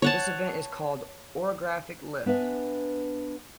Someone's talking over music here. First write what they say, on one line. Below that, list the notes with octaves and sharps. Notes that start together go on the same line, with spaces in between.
This event is called orographic lift.
C#5 F#5 A5
B3 D4 B4 E5 G#5